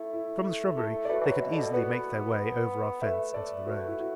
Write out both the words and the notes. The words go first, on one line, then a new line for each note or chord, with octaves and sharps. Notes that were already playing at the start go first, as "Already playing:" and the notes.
From the shrubbery, they could easily make their way, over our fence into the road.
Already playing: A3 E4
E4
E4 A4
D5
A3 F#4 B4
E3
F#3
B4 E5
B2
A4 D5
B2
B3 F#4 B4
A3 B4 E5
A4 D5
F#4 B4
E4
F#4